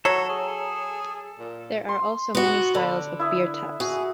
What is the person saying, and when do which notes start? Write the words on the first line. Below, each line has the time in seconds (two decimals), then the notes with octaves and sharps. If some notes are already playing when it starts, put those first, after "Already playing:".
There are also many styles of beer taps.
0.05 F#3 A4 C#5
0.30 G#4
1.39 A#2
1.89 C6
2.35 B3 F#4
2.75 D3 A4 B5
3.19 E4 E5 D#6
3.80 F#4 G#4